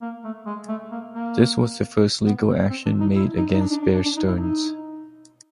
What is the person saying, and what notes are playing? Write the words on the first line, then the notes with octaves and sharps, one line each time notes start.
This was the first legal action made against Bear Stearns.
A#3
A3
G#3
A3
A#3
A#3
B3
C4
C4
D4
D#4
E4
D#4
D#4
D4
D4
D4
D4
D4
D#4
E4
D#4